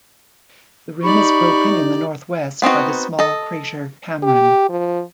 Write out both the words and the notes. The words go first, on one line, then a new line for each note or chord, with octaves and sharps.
The rim is broken in the northwest by the small crater Cameron.
D#4 G4 D5 B5 C#6
B3 C4 D#4 F#4
A4 D#5
G4
F3